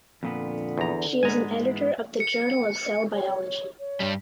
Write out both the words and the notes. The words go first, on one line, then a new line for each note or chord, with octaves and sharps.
She is an editor of the Journal of Cell Biology.
F2 A#2 D3 B3
E2 A#5
G#2 G#3 B3 G#5 A#5
E3
C#7
C#5
C#5
G2 G3